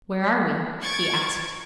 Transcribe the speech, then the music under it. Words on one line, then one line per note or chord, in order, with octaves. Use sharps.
'Where are we?' he asked.
C#6 G#6 A6 D7